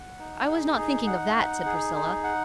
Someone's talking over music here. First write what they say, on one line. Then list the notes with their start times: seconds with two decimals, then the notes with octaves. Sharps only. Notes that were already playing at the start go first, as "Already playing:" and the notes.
"I was not thinking of that," said Priscilla.
Already playing: F#5
0.19 D#4
0.48 G#4
0.77 D#4
1.07 F#5
1.36 D#4
1.66 G#4
1.95 D#4
2.24 F#5